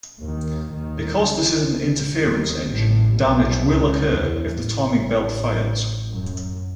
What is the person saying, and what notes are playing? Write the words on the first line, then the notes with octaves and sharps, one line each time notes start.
Because this is an interference engine, damage will occur if the timing belt fails.
D#2 D#3
D#2 D#3
C#2 C#3
D#2 D#3
A1 A2
B1 B2
C#2 C#3
E2 E3
A1 A2
F#2